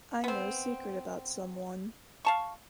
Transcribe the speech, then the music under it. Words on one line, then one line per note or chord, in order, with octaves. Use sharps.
I know a secret about someone.
B3 C4
F5 A5 C#6